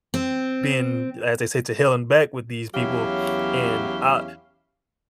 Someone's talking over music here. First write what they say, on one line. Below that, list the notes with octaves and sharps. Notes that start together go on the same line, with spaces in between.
been as they say, to hell and back with these people, and I
C4
E2 F#3 C#4 E4 G4 F5